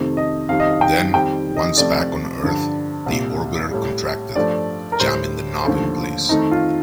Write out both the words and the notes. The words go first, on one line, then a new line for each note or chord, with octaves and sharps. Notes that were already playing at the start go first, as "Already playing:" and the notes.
Then, once back on Earth, the Orbiter contracted, jamming the knob in place.
Already playing: F2 C3 D#3 A3
D#5
F2 D#3 G3 F5
D#5
F5
G5
F2 D#3 G3 G5
D#5
F2 C3 F3 A3 D5
G2 D3 F3
C2 A#2 G3
A2 G3
G2 F3 A3 D5
A#4
A2 G3 C5
D#2 D3 F3 A3
F2 D#3 A3 D#4
F4